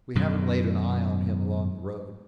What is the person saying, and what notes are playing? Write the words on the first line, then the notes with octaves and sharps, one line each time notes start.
We haven't laid an eye on him, along the road.
F#2 B2 D#3